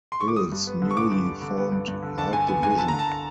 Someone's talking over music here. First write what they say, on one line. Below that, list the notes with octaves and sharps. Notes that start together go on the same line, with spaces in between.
Hill's newly formed Light Division.
C6
C#6
D6
G3 D#6
G2
B3
D3
C#6
D3 D6
G2
G3
D3
B3
G2
G2
D3
D3 A5
G2 G#5
B3 G#5
G2 G#5
D3 A5
D3 A#5
A5